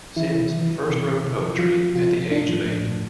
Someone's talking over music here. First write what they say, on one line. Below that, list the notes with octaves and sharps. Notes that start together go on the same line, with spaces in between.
Simms first wrote poetry at the age of eight.
E3 E4
C3
E3
E3
C3
C3
C3
F3
F3 F4
F3
C3 F4
C3
A2 D4
F3
A2
A2